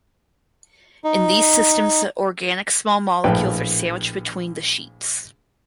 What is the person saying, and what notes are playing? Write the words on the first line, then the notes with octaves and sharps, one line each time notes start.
In these systems the organic small molecules are sandwiched between the sheets.
D#4
A#1 A2 B4 G5